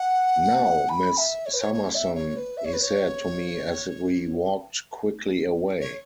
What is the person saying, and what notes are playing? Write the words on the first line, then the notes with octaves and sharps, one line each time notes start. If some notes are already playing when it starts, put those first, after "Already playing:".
"Now, Miss Summerson," he said to me as we walked quickly away.
Already playing: F#5
B5
E5
C#5
B4
C#5
C#5
E5
C#5
B4
E5
C#5
B4
C#5
C#5